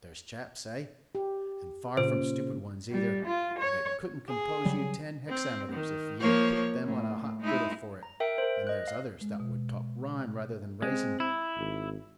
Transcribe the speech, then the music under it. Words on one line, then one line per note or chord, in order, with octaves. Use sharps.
There's chaps, ay, and far from stupid ones either, that could n't compose you ten hexameters if ye'd put them on a hot griddle for it; and there's others that would talk rhyme rather than rayson!
G4
A#2 C#3 C5
G3
F4
C#5
G#4
C#3 F#3 G3
C4
D#3
F3 A#3 C#5
A2
G#3 D#4 E4
A#5
A#4 E5 G5
A#4 C5
D#5 F#6
F5
G#3
B2
G#3 C4
E4
G#1